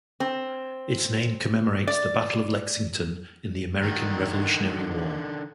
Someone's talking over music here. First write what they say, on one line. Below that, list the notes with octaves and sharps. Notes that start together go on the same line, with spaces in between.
Its name commemorates the Battle of Lexington in the American Revolutionary War.
C4
D5
D3 D#3